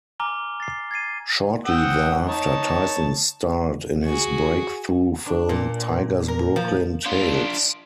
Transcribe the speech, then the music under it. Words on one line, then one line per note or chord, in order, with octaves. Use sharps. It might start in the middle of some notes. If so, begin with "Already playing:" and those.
Shortly thereafter Tyson starred in his breakthrough film, "Tiger's Brooklyn Tails".
G#5 A#5 D6 F6 G7
A6 C7
G#6 A6 C7 D#7
F#5 G5 D#6 E6
D#4 C#5 A5
F#4 G#4
D4
A#2
A#4
F3
D4 F4